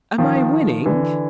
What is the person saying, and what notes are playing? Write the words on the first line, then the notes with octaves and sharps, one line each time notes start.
"Am I winning?"
D#3 F3
D3 E3